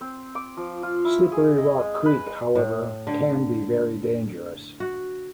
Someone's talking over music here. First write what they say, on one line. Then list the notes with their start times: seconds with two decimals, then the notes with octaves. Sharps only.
Slippery Rock Creek, however, can be very dangerous.
0.01 C4
0.35 D6
0.57 F3
0.83 F4
1.05 E4
1.32 G#4
1.58 D#5
1.80 G#3
2.05 B4
2.55 A2
3.07 D3
4.80 F#4